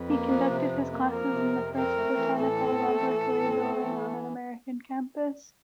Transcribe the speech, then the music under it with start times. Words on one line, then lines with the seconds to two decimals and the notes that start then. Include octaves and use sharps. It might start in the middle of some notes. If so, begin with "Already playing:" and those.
He conducted his classes in the first botanical laboratory building on an American campus.
Already playing: F2 B4
0.08 A#3
0.29 F3
0.50 C3
0.72 F2
0.92 A#3
1.12 F3 A#4
1.33 C3
1.55 F2
1.75 C4 A#4
1.97 A3
2.17 E3
2.38 A2 A4
2.59 C4
2.80 A3
3.01 E3
3.21 A2
3.42 C4
3.63 A3
3.83 E3